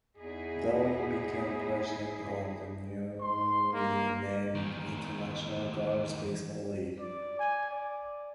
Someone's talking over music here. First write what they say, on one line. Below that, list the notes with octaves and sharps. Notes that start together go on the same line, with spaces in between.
Darling became president of the newly named International Girls Baseball League.
E2 D#4 E4 G#4
C6
A#3
E2 D#3
D5
G#5
D5